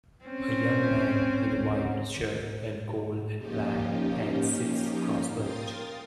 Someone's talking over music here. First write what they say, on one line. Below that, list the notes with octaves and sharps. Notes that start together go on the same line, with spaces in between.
A young man in a white shirt and gold and black hat sits cross legged.
C4 C#4
F3 A#3 C#4 D#4 F4 G4
A#4 F5 G5 C6 D#6 A6